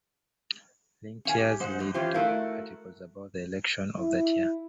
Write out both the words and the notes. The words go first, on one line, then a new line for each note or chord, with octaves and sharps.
Linked years lead to articles about the election of that year.
C#4 F5 G#5
G4
G#3 C5 F#5
F#2
E3 C#4 F4 G4 C5
A3 E4 F#4 A#4 F5
E4